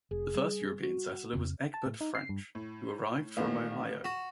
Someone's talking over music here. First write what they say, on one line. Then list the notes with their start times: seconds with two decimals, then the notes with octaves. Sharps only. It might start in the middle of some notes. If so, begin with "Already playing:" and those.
The first European settler was Egbert French, who arrived from Ohio.
0.11 F1 G#4
0.35 G3
0.82 F#4
1.33 F2 C#3 C4
1.74 A5
1.86 A2
2.01 D#4
2.15 C7
2.29 G2
2.55 A2
3.37 A1 D#3 B3 F5
4.04 F#4 E7